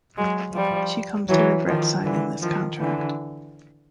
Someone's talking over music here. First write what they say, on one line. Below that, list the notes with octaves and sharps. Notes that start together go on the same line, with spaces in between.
She comes to regret signing this contract.
F#3 G#3
F3 G3
E3 F#3
D#3 F3
D3 E3
D#3 F3
D3 E3